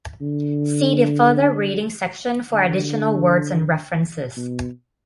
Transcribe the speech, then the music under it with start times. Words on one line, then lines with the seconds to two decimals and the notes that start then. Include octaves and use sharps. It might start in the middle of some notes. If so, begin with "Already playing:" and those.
See the Further reading section for additional words and references.
0.21 D3
2.52 D3
4.36 B2